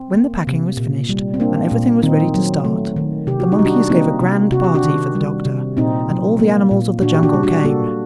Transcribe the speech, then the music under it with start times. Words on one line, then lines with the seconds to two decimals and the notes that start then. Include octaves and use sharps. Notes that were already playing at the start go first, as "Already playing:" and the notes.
When the packing was finished and everything was ready to start, the monkeys gave a grand party for the Doctor, and all the animals of the jungle came.
Already playing: C4
0.15 A#3
0.47 C3
0.77 A#2
1.09 G3
1.34 C4
1.40 A#3 D4
1.71 A#2
2.02 D#3 C4 D#4
2.34 F#3
2.65 A3
2.96 D#3
3.27 C3 G4
3.40 F#4
3.52 D#4
3.59 G3
3.65 D4 F#4
3.90 A#3 C4 D#4
4.21 C3
4.52 C3 F#4
4.64 G4
4.74 D4 F#4
4.84 D#3
5.15 G3
5.46 C3
5.77 A#2 C4 D#4
6.09 F#3
6.40 A#3
6.71 A#2
7.02 A#2 D4 F#4
7.14 G4
7.23 D4 F#4
7.33 G3
7.43 D4 F#4
7.64 A#3 F#4 A4